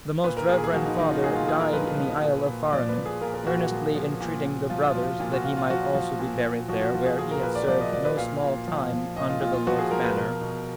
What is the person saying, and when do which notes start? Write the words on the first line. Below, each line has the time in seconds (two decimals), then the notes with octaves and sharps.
The most reverend father died in the isle of Farne, earnestly entreating the brothers that he might also be buried there, where he had served no small time under the Lord's banner.
0.24 A#2 B4
0.37 A#4
0.49 A#2 G#4
0.64 G#4
0.73 F3 F#4
0.86 D#4
0.99 F3 D#4
1.10 F4
1.18 F#4
1.24 A#2 G#4
1.35 F4
1.47 A#2 G#4
1.60 A#4
1.73 F3 B4
1.98 F3
2.23 A#2
2.47 A#2
2.72 F3 D5
2.89 B4
2.97 F3
3.06 G#4
3.21 A#2 A#4
3.34 A#4
3.47 A#2 F#4
3.59 F#4
3.71 F3
3.95 F3
4.21 A#2
4.46 A#2
4.70 F3 F4
4.87 F4
4.95 F3
5.03 F4
5.20 A#2 F4
5.33 F#4
5.45 A#2 F4
5.57 F4
5.70 F3 F#4
5.95 F3
6.19 A#2
6.44 A#2
6.68 F3 F#4
6.82 F#4
6.94 F3 F4
7.06 G#4
7.19 A#2 G#4
7.31 A#4
7.43 A#2 B4
7.55 D5
7.68 F3 D5
7.81 D#5
7.93 F3 D5
8.05 B4
8.17 A#2 F5
8.42 A#2
8.68 F3
8.92 F3
9.16 A#2 D#5
9.30 F4
9.41 A#2 F4
9.54 F4
9.67 F3 F#4
9.79 G#4
9.91 F3 A#4
10.04 B4
10.16 B2 A#4
10.41 B2